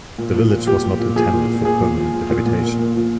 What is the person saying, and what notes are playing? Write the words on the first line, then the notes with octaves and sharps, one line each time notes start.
The village was not intended for permanent habitation.
A#2
F3
A#2
F3 G4
F3
A#2
F3 G#4
A#2
A#2
A#2 G#4
F3
F3
F3
A#2
A#2
A#2
A#2
F3